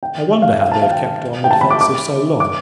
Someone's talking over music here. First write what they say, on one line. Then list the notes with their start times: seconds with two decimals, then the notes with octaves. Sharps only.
I wonder how they have kept on the defensive so long.
0.03 G5
0.32 E5
0.42 F5
0.52 E5
0.61 F5
0.72 A5
0.82 F5
0.92 G5
1.44 G5
1.51 A5
1.61 B5
1.70 D6
1.81 D6
2.40 D6